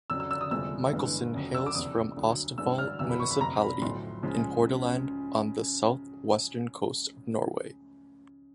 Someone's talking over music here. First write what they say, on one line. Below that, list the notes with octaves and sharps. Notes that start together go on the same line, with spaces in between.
Michelsen hails from Austevoll municipality in Hordaland on the south-western coast of Norway.
F2 C#3 F#3 E6
E6
E6
D#6
G1 F2 C3 F3 G#3 E6
G1 G2 E3 G#3
F#1 F2 C#3 F#3
E6
D6
F1 E2 C3 D#6
D2 D3 F#3
A1 G2 E3 G#3 E6
F6
F2 C3 E3 G3 E6
B5
C#6
B5
F#1 F2 C3 A#5
B5
B1 A2 F3 C6
C#2 C#3 F3 G#3